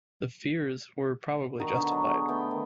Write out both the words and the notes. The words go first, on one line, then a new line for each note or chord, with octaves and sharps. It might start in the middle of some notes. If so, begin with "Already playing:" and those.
The fears were probably justified.
D#3 D4 D#4 F#4
B2 D3 D#4 B4
F#3
G#4
A3 B3 G5
D#3